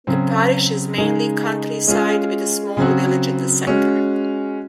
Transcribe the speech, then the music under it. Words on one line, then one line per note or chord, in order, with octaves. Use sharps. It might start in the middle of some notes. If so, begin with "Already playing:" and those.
The parish is mainly countryside with a small village in the centre.
C#3 F#3 C4
C#3 G#3 D#4 G#4
G#3 C#4 F4 G#4
C#3 F#3 C4 F#4
G#3 C#4 F#4